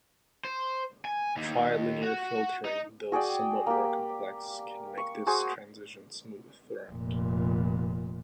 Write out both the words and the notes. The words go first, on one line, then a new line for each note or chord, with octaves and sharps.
Trilinear filtering, though somewhat more complex, can make this transition smooth throughout.
C5
G#5
D#2
F#4 F#5
D#4
F#4 G#4 D5 G5
A#3 G4
C#6
F#4 G#4 C5
F1 A#2